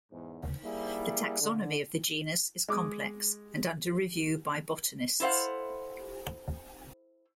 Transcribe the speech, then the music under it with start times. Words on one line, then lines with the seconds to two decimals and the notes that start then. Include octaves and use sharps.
The taxonomy of the genus is complex, and under review by botanists.
0.11 E2 G#2
0.64 G3 A#3 E4 G#4
1.41 D3
2.68 G#3 D6 D#6
5.20 E4 A4 C5 F5 F#5